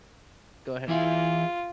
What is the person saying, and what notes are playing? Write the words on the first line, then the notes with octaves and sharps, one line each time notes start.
go ahead.
E3 E4 F4 G#4